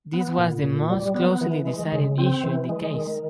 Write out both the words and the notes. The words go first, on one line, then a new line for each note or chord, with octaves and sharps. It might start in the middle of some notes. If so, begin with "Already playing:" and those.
This was the most closely decided issue in the case.
B3
A#2
A#2
G3
B3
E3
G#3
C#3
C4
E3
G#3
D#3